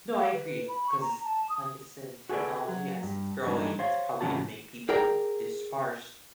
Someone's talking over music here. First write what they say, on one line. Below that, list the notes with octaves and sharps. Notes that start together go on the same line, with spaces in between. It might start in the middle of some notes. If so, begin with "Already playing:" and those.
No, I agree. 'Cause, like you said, technology, as it's growing, it's probably gonna make people disperse
F5
B4
B5
C#6
A#5
A5
D#6
F#4 G#4 A4 B4 D5
F#3
G2
G2 E3 G#3 D4 D#4
C5 C#5 F5
G#2 C3 E3 C#4 F#4 A5
G#4 A#4 D5 G5 A#5